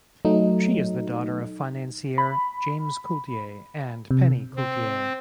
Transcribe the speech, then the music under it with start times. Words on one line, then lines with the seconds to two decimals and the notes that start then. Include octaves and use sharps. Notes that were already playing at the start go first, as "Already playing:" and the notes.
She is the daughter of financier James Coulter and Penny Coulter.
0.25 F#3 A3 D#4
2.18 B5
4.11 C3
4.56 C4